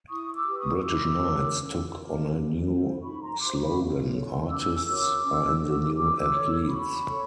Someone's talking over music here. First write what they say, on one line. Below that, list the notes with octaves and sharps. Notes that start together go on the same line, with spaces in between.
British Knights took on a new slogan, Artists are the new athletes.
E4 C#6 D#6
D6 E6
G4 B4
C#6 D#6
D#6
E4 D6 E6
G4 A#4 C#5
C#4
F#4 A#4
C#4
E4 A4 C5
D#4 B5 C#6
A#5 C6
G4 C5 C6 D6
D6
B5 C#6
F4
A4 C#5
C#4 D6 E6
F#4 A#4 C#5
C#4
F#4 A4
F#4 D6 E6
A4 C#5
F#4 B5 C#6
A4 C#5